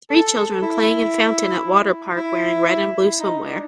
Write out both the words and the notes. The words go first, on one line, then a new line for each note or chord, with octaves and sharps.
Three children playing in fountain at water park wearing red and blue swim wear.
A4
E4
E4
D#4
D4